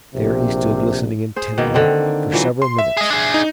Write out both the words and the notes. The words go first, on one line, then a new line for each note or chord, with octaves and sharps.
There he stood listening intently for several minutes.
A#1 C3
G#4 C5
B2 D#3 A#3
D3 D#3 C4
A#2 E3 F#3
C6
E5
G#4 D#5
D4 G#4
D#4